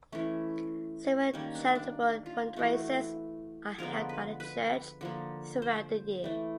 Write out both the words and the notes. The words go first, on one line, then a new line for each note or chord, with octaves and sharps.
Several charitable fundraisers are held by the church throughout the year.
E3 A3 C#4
D#3 G3 A#3 C#4
D4
D4
F4
E3 A3 F#4
D3 F3 G#3 B3 A#4
B4
B4
D3 F3 A#3
C5
E3 A3